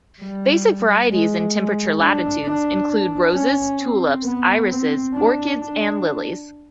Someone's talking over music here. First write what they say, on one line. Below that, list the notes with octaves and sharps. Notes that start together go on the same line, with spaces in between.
Basic varieties in temperate latitudes include roses, tulips, irises, orchids and lilies.
G3
G#3
G#3
D4
D4
D4
C#4
C4
B3
C4
D4
D4